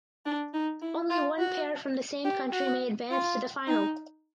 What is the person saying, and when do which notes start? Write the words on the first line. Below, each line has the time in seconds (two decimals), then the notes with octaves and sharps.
Only one pair from the same country may advance to the final.
0.26 D4
0.54 D#4
0.82 E4
1.11 F4
1.40 F#4
2.25 G4
2.53 F#4
3.11 F4
3.68 D#4